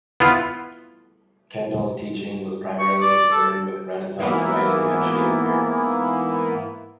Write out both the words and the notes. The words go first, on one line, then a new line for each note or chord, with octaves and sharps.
Kendall's teaching was primarily concerned with Renaissance writing and Shakespeare.
B3 E4 F4
C#6
D5
A4
G#2 E3 A#3 B3 E4